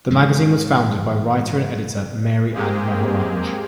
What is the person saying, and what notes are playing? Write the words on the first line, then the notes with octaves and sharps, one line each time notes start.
The magazine was founded by writer and editor Mary Anne Mohanraj.
G#2 E3 G#3
G#3 A#3 C4 G4 G#4